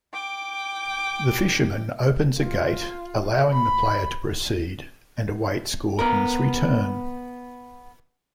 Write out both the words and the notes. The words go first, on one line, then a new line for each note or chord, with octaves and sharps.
The fisherman opens a gate, allowing the player to proceed, and awaits Gordon's return.
G5 D6
F4
B5
B3 A#4